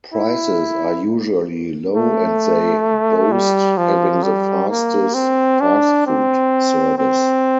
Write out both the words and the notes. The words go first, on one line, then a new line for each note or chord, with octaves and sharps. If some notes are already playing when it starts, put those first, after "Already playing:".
Prices are usually low and they boast having the fastest fast-food service.
E4
A3
G3
F3
G3
A#3
C4
D4
C4
C4